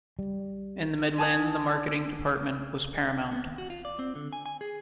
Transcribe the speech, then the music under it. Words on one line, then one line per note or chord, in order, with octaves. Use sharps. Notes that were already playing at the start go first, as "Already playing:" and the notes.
In the Midland, the marketing department was paramount.
G3
G#5 A5 D#6 G#6
B3
D#2
F#4
F4
D5
C4
D3
G#5
G#5
G#4